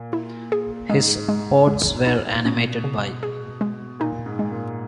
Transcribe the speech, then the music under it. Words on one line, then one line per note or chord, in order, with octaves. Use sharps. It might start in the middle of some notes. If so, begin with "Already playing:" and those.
His odes were animated by...
Already playing: A#2
E4
G#4
G#2 G#3
G#3
G#3
D#4
B2 C#4
C#3
G#4
G#3
A#2 D#4
G#2
G#3
A#2